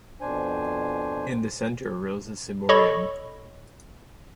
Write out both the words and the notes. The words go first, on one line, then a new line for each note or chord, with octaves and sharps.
In the centre rose the ciborium.
F2 B2 D4 C5 G#5
A4 C#5 D#5 B5 C#6